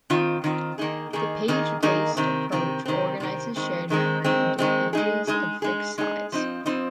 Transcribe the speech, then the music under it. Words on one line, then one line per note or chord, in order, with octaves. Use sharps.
The page based approach organizes shared memory into pages of fixed size.
D#3 C4 F4
D#3 C4 F4
D#3 A#3 D#4 G#4
D#3 A#3 D#4 G#4
D#3 A#3 D#4 G#4
D#3 A#3 D#4 G#4
C3 D#3 C4
C3 D#3 C4
C3 D#3 C4
C3 D#3 C4
D#3 G#3 C4
D#3 G#3 C4
D#3 G#3 C4
D#3 G#3 C4
G#3 D#4 G#4
G#3 D#4 G#4
G#3 D#4 G#4
G#3 D#4 G#4
F3 C4 D#4
F3 C4 D#4